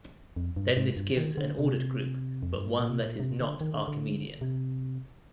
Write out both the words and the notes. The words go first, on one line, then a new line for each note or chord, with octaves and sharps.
Then this gives an ordered group, but one that is not Archimedean.
F2
G2
G#2
G2
D#3
D3
C3
F2
G2
G#2
A#2
C3
A#2
C3
D3
D#3
D3
D3
C3